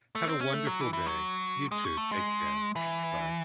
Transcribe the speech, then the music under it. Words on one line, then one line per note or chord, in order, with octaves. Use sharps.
Have a wonderful day. You too. Take care. Bye.
A3
C4
C#4
A3
F#3
E3
E3
F#3
G#3
C#4
A3
G#3
E3